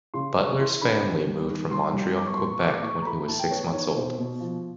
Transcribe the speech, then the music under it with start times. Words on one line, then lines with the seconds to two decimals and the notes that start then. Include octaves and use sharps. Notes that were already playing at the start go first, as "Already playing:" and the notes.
Butler's family moved to Montreal, Quebec, when he was six months old.
0.14 C#3 C6
0.36 G#3 C#6
0.59 E3 C6
0.81 D3 B5
1.03 B3
1.26 G3
1.48 D#3
1.71 G3 C6
1.93 G3
2.15 B3 D6
2.26 C#6
2.35 A#2 C6
2.45 C#6
2.61 A3 D6
2.77 D6
2.83 A2 C#6
3.02 A#5
3.05 A3 B5
3.28 A2 A5
3.39 G5
3.50 B3 C#5
3.73 D#3 C#5
3.95 B2 C5
4.18 B2
4.40 F3